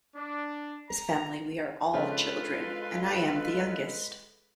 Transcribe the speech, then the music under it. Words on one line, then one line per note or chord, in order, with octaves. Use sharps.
In this family we are all children, and I am the youngest.
D4
A#5
C#3 F3 G#3 C4 F4 A4 B4